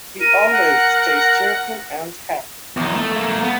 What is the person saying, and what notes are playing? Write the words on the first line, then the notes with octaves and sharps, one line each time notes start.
He always stays cheerful and happy.
A#4 D#7
F#5
E2 D#4
A3
A3 A#3
B3